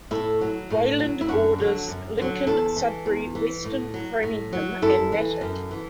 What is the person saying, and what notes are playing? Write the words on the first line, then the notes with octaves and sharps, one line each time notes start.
Wayland borders Lincoln, Sudbury, Weston, Framingham, and Natick.
A2 E4 A4
F#3
A2
F#3
E4
F#2 D4 F#4
D3 F#3
F#2
D3 F#3
E2 E4 A4
E3
E2
E3
A2
F#3
A2
F#3
F#2 E4 A4
E3
F#2
E3